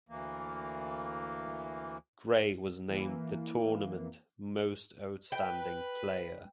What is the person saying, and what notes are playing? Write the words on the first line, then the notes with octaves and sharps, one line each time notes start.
Gray was named the Tournament Most Outstanding Player.
D2 E3 A#3
E3 A#3
B4 G5